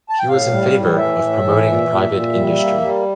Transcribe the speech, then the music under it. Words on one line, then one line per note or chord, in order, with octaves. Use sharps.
He was in favour of promoting private industry.
A5
G5
A2 F5
G3
A2
E3 E5
A2
E3
A#2
A#2
A#2
G3
A#3
G3